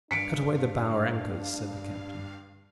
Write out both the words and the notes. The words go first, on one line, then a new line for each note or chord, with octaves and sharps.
"Cut away the bower anchors," said the captain.
G2 D4 F5 B6 C#7 D7